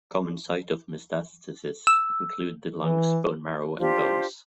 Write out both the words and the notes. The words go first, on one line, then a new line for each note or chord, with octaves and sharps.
Common site of metastasis include the lungs, bone marrow, and bones.
E6
E3
D4 F4 G4 C5